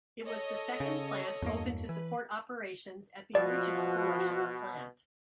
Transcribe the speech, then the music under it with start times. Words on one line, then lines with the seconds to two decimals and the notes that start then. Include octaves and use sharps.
It was the second plant opened to support operations at the original Hiroshima Plant.
0.23 A4 C#5 D#5
0.80 C#3
1.42 E2 G2 A#3
1.89 E3 B4
3.35 B2 F3 F#4 D5